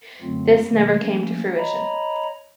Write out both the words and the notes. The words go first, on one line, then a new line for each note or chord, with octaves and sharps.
This never came to fruition.
F#2 D3 F#3 A3 C4 F4
B2 D#3 F#3 A3 A#3
F3 A3 A#3 C#4
C#5 D#5 A#5 B5